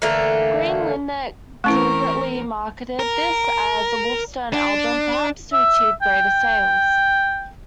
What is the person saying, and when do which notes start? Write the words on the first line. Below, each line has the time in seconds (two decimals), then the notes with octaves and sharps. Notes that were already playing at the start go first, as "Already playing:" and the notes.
Green Linnet deliberately marketed this as a Wolfstone album, perhaps to achieve greater sales.
0.02 D3 E3 A3 A#3
1.64 E3 A3 C4 C#4 E4 A#4 C#6
2.99 A#4
4.53 D4
5.53 E5
6.02 G5